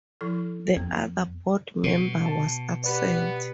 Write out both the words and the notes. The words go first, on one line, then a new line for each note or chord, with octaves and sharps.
The other board member was absent.
F3 E4 A4
F2 B3
B2
A5
B3 G4 B4 D5